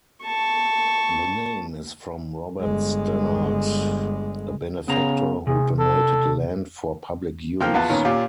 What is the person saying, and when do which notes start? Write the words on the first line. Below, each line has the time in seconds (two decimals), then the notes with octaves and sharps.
The name is from Robert Stanard, a benefactor who donated land for public use.
0.24 A5 C#6
2.60 G1 G#3
4.88 C#3 B3 A#5
5.47 C3 G#4
5.79 A4
7.60 F3 A#3 G5 F6
7.74 E2 B3 F4 F#5 A5
7.89 A#2 D#3 B3 C#4
8.05 A#2 C#4 F4 G4